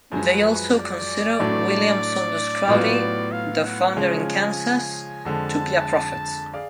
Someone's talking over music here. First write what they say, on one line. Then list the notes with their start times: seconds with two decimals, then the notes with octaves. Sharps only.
They also consider William Saunders Crowdy, their founder in Kansas, to be a prophet.
0.12 F#2 F3 G#3 B4
0.75 D5
1.40 A2 F#3 A3 D4
2.68 A2 F#3 B3 F4
3.32 F5
3.65 F#5
3.97 C#3 F3 G#3 C#4 G#5
5.25 F2 D3 G#3 A5
6.53 G#4 D5 F5